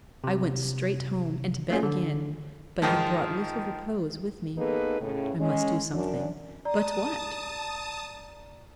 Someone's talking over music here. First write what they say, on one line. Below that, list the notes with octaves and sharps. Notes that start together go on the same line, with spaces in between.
I went straight home, and to bed again--but had brought little repose with me: I must do something--but what?
C3
A3 A#3 C#4 F4 G#4
D3
G#2 D#3 F3
A#3 B3 D#4 G#4 A4 B4
A2 C#3
G#3 C#4
F#2 D4
D5 A5 A#5 D#6